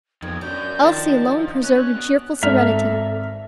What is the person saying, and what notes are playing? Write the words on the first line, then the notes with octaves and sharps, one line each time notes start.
Elsie alone preserved a cheerful serenity.
F2 D#3 B3 G#6
F#3 C#4 D4 G6
D#3 F3 A5
C#4 F#6
B2
G#1 A4 D5 E5 A#5 F6